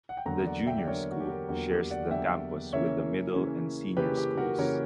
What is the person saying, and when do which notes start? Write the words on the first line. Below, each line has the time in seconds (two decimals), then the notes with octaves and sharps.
The Junior School, shares the campus with the Middle and Senior schools.
0.09 F#5
0.17 G5
0.25 E2 D3 F#3 A#3 F#5 A#5
0.46 D5 F#5
0.66 E5 G5
0.78 D5
0.87 E2 D3 F#3 A#3 A#4 C#5
1.12 F#4
1.20 G4
1.29 F#4 A#4
1.49 E2 D3 F#3 A#3 F#4 A#4
1.70 G4
1.91 D5 F#5
2.11 E2 D3 F#3 A#3 E5 G5
2.73 C#3 E3 A#3 C#4 C#5 E5
3.34 C#3 E3 A#3 C#4
3.97 C#3 E3 A#3 C#4 G4 B4
4.17 G4
4.38 F#4 A#4
4.58 C#3 E3 A#3 C#4 A#4 C#5